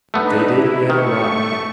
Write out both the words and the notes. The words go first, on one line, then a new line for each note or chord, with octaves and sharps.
But they didn't yet a while.
A3 B3 D4 D#4 B4
E4
D#3 A3 C#6